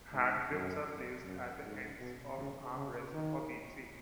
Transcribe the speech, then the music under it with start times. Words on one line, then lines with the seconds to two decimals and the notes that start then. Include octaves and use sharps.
Hand grips are placed at the ends of the arm rests of each seat.
0.12 G#2
0.49 F#2
1.24 F#2
1.62 G#2
2.00 B2
2.38 C#3
2.75 C#3
3.13 D#3